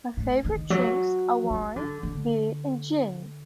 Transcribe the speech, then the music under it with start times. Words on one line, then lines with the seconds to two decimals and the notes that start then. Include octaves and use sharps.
My favourite drinks are wine, beer and gin.
0.17 A2
0.45 D#3
0.70 F#3
1.50 F#3
1.76 D3
2.03 D3